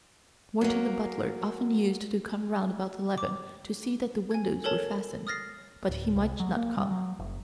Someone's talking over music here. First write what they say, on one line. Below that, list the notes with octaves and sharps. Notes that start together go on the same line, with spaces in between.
Morton the butler often used to come round about eleven to see that the windows were fastened, but he might not come.
F#3 A#3
D6
G#5 G#6
A4 A#4 C#5 A5
D#6 F6 A6 A#6 C7
D1
C2
F#3
A#3
G3
F#3
F#1